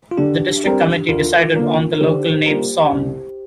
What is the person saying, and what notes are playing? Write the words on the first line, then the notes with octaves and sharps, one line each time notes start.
The district committee decided on the local name Sogn.
F4
D3 D4 G4
G3 C4 A#4
D2 F4 A#4
D3 A#3
A#4
D3 G4 C5
G3 A#3 F4 A#4
C2